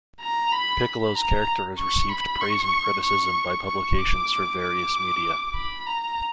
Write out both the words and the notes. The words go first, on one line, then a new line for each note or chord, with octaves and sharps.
Piccolo's character has received praise and criticism by publications for various media.
A#5
B5
B5
A#5
C#6
B5
C#6
C#6
C#6
D6
D6
B5
A#5